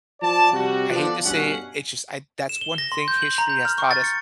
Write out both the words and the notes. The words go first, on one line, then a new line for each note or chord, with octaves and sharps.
I hate to say it, it's just I that's one thing history has taught us.
F3 D5 A5
C3 G3 F#4
F3 B3 D4 A4 D5
G2 B2 C#4 F#5
E7
G7
A#6
C6
G6
F#7
A#5
G6
F6
C#6
A6
C#7